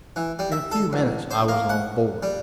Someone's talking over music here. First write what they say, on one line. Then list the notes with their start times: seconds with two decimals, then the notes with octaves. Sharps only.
In a few minutes I was on board.
0.16 E3
0.39 G3
0.52 E5
0.72 A4
0.93 A1
1.31 C5
1.48 A#3
1.69 F#5
2.23 G3